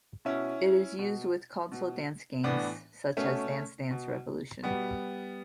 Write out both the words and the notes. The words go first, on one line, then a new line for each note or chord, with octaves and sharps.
It is used with console dance games such as Dance Dance Revolution.
B2 C#4 E4
B2
B2
A2 E3 B3 D4
B2 A3 C#4
B2
B2 G3 B3